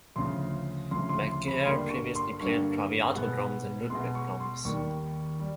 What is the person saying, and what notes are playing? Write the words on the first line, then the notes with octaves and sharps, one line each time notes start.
Mcgerr previously played Craviotto drums and Ludwig Drums.
D2 C#3 F3 C6
D2 C#3 F3 C6
C6
C6
B5
G2 D3 G3 A#3 C6
C#6
C6
G2 D3 G3 A#3 C#6
B2 G#3 B3
B2 G#3 B3 C6
C#6
C6
D#2 D#3 G3 C#6
G3